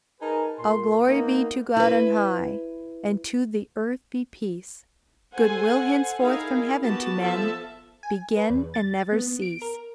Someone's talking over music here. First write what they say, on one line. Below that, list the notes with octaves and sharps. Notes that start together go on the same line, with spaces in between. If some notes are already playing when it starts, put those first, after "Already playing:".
All glory be to God on high, And to the earth be peace! Good-will, henceforth, from heaven to men Begin, and never cease.
D#4 G#4 A#4 B4 G#5 A5
A#2 C6
A#3 B3 D#4
E4 B4
A4 C5 F#5 G#5
D#4 E4 G#4 A#4 F5
B3 F#4 G4 A5
F3 B3 A4 E5 A5
G#5
B4
E2
A6
B3
D7
A#4